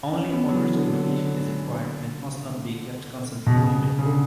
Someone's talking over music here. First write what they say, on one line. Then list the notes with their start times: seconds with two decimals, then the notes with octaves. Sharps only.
Only moderate irrigation is required and it must not be kept constantly humid.
0.12 C#4
0.33 B3
0.49 F#3
0.54 E3
0.76 D3
0.98 D3
3.46 B2
3.56 C#3
3.99 C#3
4.05 D3